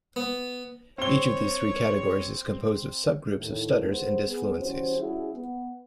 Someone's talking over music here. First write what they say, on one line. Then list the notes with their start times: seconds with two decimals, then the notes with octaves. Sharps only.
Each of these three categories is composed of subgroups of stutters and dysfluencies.
0.16 B3
0.98 C4 C#5 G7
3.38 D#2 A2
3.86 B3 G4 G#4 B4 C5
4.27 B3 G#4
4.59 E3 G3 C#4 F#4 C5
4.96 G3 C#4 E4 F#4 G#4
5.34 B3